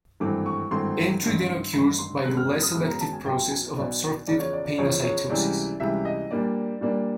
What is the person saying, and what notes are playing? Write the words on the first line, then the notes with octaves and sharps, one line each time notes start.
Entry then occurs by the less selective process of absorptive pinocytosis.
G#1 G2 E3 A3 C4 D6
C#6
G#1 G2 E3 A3 C4 C6
A1 G2 D#3
A1 G2 D#3 B5
C6
G#1 F#2 C#3 F#3 B3 F#6
F6
D#6
D#6
G#1 F#2 C#3 F#3 B3 D#6
A#5
A5
G#5
B1 B2 F#3 B3 G5
G#5
B1 B2 F#3 B3 D5
E2 C#3 F3 D5
C#5
D5
D5
E2 C#3 F3 C#5
C#5
C#2 C3 E3 G3 D5
C#2 C3 E3 G3 E5
D#5
A#2 G3 A#3 D4 D5
A#2 G3 A#3 D4